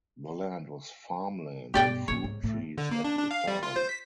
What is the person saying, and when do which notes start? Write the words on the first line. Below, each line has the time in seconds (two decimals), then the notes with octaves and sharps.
The land was farm land and fruit trees at the time.
1.74 G2 B2 G4 D5 G5
2.08 A#2 D#3 C#5
2.24 G#2
2.43 A2
2.78 D3
2.91 A#3
3.04 D4
3.18 D4
3.31 F5
3.47 G3
3.63 F4
3.76 C5
3.89 B6